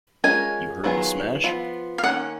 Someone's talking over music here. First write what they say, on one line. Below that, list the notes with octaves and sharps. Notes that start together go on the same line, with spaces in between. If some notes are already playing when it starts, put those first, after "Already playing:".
You heard the smash?
G#3 C#4 F4 A#4 D#5 G#5
D#3 F#3 B3 F4 G#4
F3 B3 F4
F5
D#3 A#3 C#4 F#5